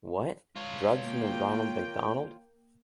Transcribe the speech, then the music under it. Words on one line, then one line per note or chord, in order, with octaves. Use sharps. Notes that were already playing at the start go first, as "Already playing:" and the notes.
What? Drugs in the Ronald McDonald?
F4 C#5
A#3 G5